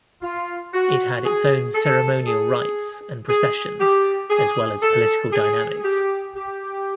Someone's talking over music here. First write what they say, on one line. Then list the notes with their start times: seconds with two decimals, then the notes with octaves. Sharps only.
It had its own ceremonial rites and processions as well as political dynamics.
0.22 F4
0.74 F#4
1.25 G#4
1.75 A4
2.27 G#4
3.28 G#4
3.80 G4
4.30 G#4
4.82 A4
5.32 G#4
5.83 G4
6.36 G4